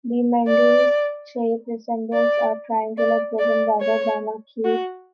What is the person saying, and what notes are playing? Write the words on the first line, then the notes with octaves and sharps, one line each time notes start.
The Mendel's shape resembles a triangular prism rather than a cube.
D5
D5
D5
D5
C#5
F#4